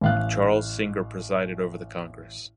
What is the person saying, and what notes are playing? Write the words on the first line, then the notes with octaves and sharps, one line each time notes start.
Charles Singer presided over the congress.
A1 F5 F#6